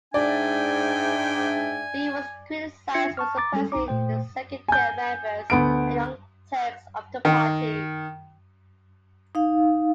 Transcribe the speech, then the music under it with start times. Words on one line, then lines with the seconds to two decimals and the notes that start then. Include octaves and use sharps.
Lee was criticized for suppressing the second-tier members and "Young Turks" of the party.
0.14 G#2 D4 D5 E5 G5 G#5
2.94 D4 F4 E5 G#6 C#7
3.17 A5 C#6 F6
3.37 A#5 D6 A6
3.53 G3 G#3 C#4 A4
3.72 B1 D#4 A#5 D6
3.88 A#2 A3 C5 G5
4.68 G#5 G6
5.50 D2 B3 D7
7.25 D#3
9.35 D#4 F5